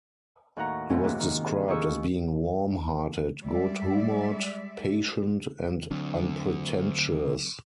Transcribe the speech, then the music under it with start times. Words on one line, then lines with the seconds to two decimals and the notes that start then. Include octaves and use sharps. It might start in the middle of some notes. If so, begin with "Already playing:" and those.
He was described as being warm-hearted, good-humoured, patient, and unpretentious.
0.57 D#2 A2 F#4 F#5 A#5 C#6
0.90 B2 A3 C4 C#4
1.04 G#2 C3 A#3 E4 F#4
1.20 D#3
1.46 G#4
1.68 D#3 F4 G4 G#4 C#6 E6
3.43 G3 G#3 D5 E5
5.91 D2 F#3 C4 D4